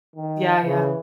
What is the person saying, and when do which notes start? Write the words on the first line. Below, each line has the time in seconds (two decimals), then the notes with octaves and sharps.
Yeah, yeah.
0.16 D#3
0.61 C#3 E3